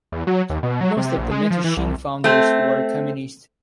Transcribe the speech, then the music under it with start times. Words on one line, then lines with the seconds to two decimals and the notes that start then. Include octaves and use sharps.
Most of the Mattachine founders were communists.
0.12 E2
0.27 F#3
0.50 D#2
0.63 B2
0.81 F#3
0.97 C3
1.17 A#1
1.31 G#3
1.51 F3
1.64 E3
1.77 C2
2.24 A3 C4